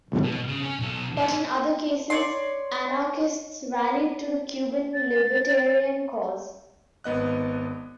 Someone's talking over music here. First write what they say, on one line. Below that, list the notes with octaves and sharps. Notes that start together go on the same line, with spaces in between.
But in other cases, anarchists rallied to the Cuban libertarian cause.
B2
C#3
C#4
B1 A4
C#4 C5
C#5 D5 C6
A6
G#1 B3 D#5 F#6